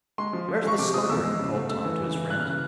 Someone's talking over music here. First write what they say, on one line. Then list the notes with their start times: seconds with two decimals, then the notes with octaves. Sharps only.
"Where's the Slugger?" called Tom to his friend.
0.18 G#3 C6
0.33 F3
0.48 F3
0.63 G#3 C#6
0.79 C3 D6
0.94 F3 D#6
1.09 E2 E6
1.24 G#3
1.39 C#3
1.54 A3
1.69 A3 E6
1.85 E3
2.00 C#3
2.15 E3
2.30 E3 F#6
2.40 F6
2.45 C#3 F#6